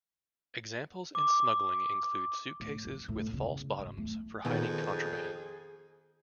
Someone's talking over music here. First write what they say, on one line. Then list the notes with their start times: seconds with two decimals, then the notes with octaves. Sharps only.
Examples in smuggling include suitcases with false bottoms for hiding contraband.
1.15 D6
2.60 A2
2.85 F2
3.08 A2
3.33 C#3
3.78 G#1
3.97 A3
4.45 F2 A#2 D#3 B3 G#4